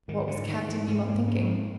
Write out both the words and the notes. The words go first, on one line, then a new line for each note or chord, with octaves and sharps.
What was Captain Nemo thinking?
G#2 D#3
D3
G#2
D#3
G#2
E3
G#2 A3
A#3
G#2
C#4
G#2
C4